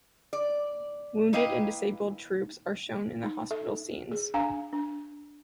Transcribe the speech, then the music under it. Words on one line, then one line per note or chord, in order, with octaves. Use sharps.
Wounded and disabled troops are shown in the hospital scenes.
D5
A#3 E4 B4 D#5 F5 G5
D#4
A4 E5
G#4
D4 F5 G#5 A#5
D4